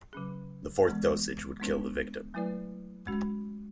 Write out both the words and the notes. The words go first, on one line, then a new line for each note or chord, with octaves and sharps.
The fourth dosage would kill the victim.
C#3 F#3 C#4 G#4
E3 G#3 B3
G#3 B3 D4
F#3 A3 E4 B4 D5
G#3 C#4 F#4